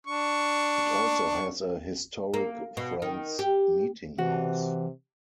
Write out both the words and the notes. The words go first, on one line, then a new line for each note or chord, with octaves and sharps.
It also has a historic Friends Meetinghouse.
D4 C#6
A#3
B2
D#3
G4
C3 E3 F#4